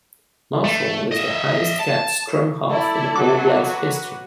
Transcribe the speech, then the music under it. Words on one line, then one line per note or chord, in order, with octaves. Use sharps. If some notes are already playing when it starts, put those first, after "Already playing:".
Marshall is the highest capped scrum half in All Blacks history.
A3
D#5 E5
A5
E4 A4 D5
F#3 F#4 B4 D6